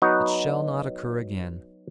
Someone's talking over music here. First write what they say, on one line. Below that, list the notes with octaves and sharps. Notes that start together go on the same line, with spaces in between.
'It shall not occur again.
F#3 B3 D#4 F#4 F#5